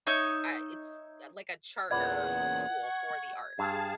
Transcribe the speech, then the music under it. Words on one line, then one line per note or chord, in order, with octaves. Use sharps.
uh, it's uh, like a charter school for the arts,
D#4 C#5 E5 G6
E2 A#2 C#3 B4 D5 F#5 G#6
C#6
G2 G#4 F5 A5